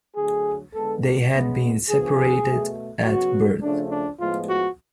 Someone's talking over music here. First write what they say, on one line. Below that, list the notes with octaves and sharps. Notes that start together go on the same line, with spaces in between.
They had been separated at birth.
D3 F#3 A3 G#4
D3 G#3 B3 A4
C#3 G#3 B3
D3 F3 B3 G#4
B2 A3
C#3 F#3 B3 F#4
C#3 F3 A3 D4
D4
A2 F3 G#3 B3 F4
F#4